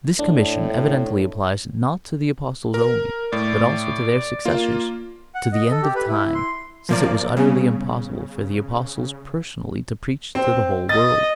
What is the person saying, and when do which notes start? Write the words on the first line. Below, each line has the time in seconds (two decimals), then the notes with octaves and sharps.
This commission evidently applies not to the Apostles only, but also to their successors, to the end of time, since it was utterly impossible for the Apostles personally to preach to the whole world.
0.19 A2 D4
2.74 A#4
3.32 A2 D5
4.45 A#3 F4
5.35 F#5
5.52 D#5
5.71 A4
5.83 G4
5.95 B4
6.08 E4
6.35 C6
6.89 F3 A#3 D5
7.37 C#3 G3 B3 G#5
10.35 C4
10.89 D#5 A6